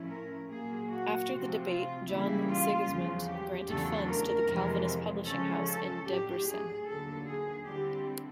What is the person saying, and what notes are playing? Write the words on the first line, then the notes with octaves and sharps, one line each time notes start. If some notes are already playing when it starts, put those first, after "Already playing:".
After the debate John Sigismund granted funds to the Calvinist publishing house in Debrecen.
Already playing: A2 F3 A3 C#4 E4
A#4
A#2 F#3 A#3 G#4
F#4
C3 F3 A3 C4
F4
C#3 E3 G3 A#3 E4
F4
E2 C#3 F3
G4
E2 C#3 F#3 A3 D4 A4
A#4
F2 C3 E3 G#3
C#3 F3 G#3 C#4 A4
A4
A2 F#3 A3 D4 G4
G#4
D#2 D3 F#3 A4
G#4
D3 G3 C4 E4 G4